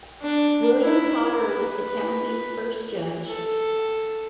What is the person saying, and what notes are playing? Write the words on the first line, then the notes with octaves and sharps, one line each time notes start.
William Potter was the county's first judge.
D4
E4
B4
A4